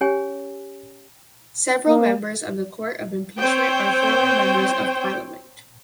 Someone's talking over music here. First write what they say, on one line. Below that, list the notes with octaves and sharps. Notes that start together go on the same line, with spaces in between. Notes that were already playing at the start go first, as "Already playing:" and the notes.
Several members of the Court of Impeachment are former members of parliament.
C#4 G4 C#5 G#5
A#3
C4 C5 C#5 G5